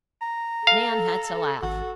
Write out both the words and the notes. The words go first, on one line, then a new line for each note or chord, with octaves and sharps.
Nan had to laugh.
A#5
A4 F5
G#1 F#4